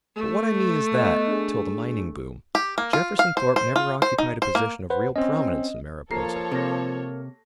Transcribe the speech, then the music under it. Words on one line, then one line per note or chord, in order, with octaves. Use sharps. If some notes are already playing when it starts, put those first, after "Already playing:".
But what I mean is that, till the mining boom, Jefferson Thorpe never occupied a position of real prominence in Mariposa.
A3
B3 D#5 F#6
D4 G#4
G4
A#3
F4
F5
C5
C5
F4
C5
D#4
C5
A#3
B4 C5 F#5
C4 C#4 D#5
F3 A#3 A4 C#5 A#5 C7
C3 A#3 A#6